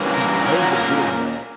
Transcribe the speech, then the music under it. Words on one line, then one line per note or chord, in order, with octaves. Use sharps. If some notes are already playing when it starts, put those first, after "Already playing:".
because they're doing that,
Already playing: G2 E3 A#3 C#4
A#4
A#2 A#3 C#4 A#4
F#4
A#4